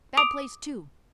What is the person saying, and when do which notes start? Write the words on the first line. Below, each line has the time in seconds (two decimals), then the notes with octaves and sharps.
Bad place, too.
0.17 D6 D#6 D7 F7